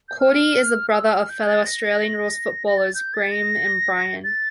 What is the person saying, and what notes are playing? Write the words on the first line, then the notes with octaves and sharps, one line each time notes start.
Cordy is the brother of fellow Australian rules footballers Graeme and Brian.
G6
F6
E6
F6
G6
A6
A#6
A#6
A6
G6
A6
A#6
A6